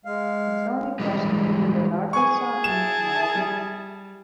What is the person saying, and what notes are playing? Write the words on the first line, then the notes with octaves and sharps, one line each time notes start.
It's only a question between the larger sum and the smaller.
G#3 F5
E3 G3 G#3
G#4 G#5 C#6
E4 A5 E7
G3